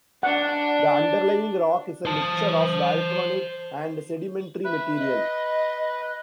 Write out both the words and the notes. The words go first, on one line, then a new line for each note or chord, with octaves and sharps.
The underlying rock is a mixture of volcanic and sedimentary material.
D4 F#5
C5 A5
B4 E5
D#5